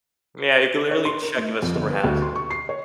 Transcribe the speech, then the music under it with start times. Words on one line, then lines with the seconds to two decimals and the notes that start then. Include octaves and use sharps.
Yeah, you can literally check if a store has it.
0.91 C#5
1.05 C6
1.22 A#4
1.38 A3
1.63 F2
1.75 G1
1.90 B4
2.04 D2
2.22 C6
2.36 C#6
2.51 C7
2.69 C#5